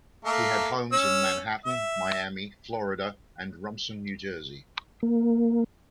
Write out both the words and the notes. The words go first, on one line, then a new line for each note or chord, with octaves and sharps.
He had homes in Manhattan, Miami, Florida and Rumson, New Jersey.
A3 A#3 A4
C#4 E6
E5
A#3